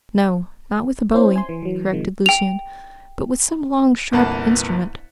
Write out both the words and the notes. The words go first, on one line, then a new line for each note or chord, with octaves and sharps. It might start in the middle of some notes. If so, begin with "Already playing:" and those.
"No, not with a bowie," corrected Lucian, "but with some long, sharp instrument."
C4 C#4 E4 C5
G#5 C6
E3
E3 F#3
C3 D#3 F3 G#3
G5 F7
G1 C2 A#3 B4 F#5 A5